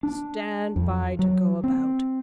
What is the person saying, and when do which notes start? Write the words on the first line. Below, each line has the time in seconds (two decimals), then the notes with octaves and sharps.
Stand by to go about.
0.03 D4
0.76 F2
1.19 F#3
1.64 C4